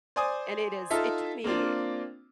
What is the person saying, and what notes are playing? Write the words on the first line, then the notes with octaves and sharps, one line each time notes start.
and it is it took me
C5 D5 G#5 D#6
D#4 F4 A4 E5
A#3 C4 D4 F4